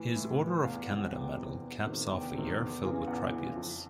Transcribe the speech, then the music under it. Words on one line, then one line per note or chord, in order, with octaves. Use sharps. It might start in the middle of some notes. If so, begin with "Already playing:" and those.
His Order of Canada medal caps off a year filled with tributes.
Already playing: A2 E3
A2
E3
E2 F5
C3 E3 F#5
E2 G5
C3 E3
E2
C3 D#3
E2 G5
C3 D#3
E2
C#3 E3
E2 F#5
C#3 E3
F2